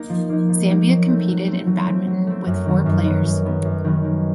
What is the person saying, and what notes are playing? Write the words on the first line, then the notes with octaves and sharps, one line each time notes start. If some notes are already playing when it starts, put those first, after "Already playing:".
Zambia competed in badminton with four players.
Already playing: A#3 D#4
F3
A#3 D#4
F3
A#3 D#4
F#3
A3 C4
F#3
A3 C4
F#3
A3 C4
F#3
A3 C4
F#2
D#3 F#3 B3
F#2
D#3 F#3 B3
F#2
D#3 F#3 B3
F#2
D#3 F#3 B3
D#3